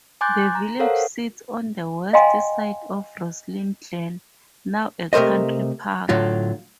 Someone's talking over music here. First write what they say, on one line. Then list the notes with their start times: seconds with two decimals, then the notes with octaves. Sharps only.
The village sits on the west side of Roslin Glen, now a country park.
0.21 G#5 C6 D6 F#6 G6 A6
0.55 A#5
0.80 A4 A#4 C5 C#5 F5 F#5
2.13 D#5 F5 G5 G#5 A#5 C6
5.13 C3 A3 A#4 C5 D#5
6.09 A2 D3 F#3 F4